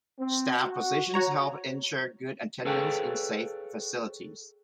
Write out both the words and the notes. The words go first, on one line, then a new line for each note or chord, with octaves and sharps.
Staff positions help ensure good attendance in safe facilities.
C4
F#4
F#4 C#5 A#5
G#4 A4 B4 C#5 F5 G5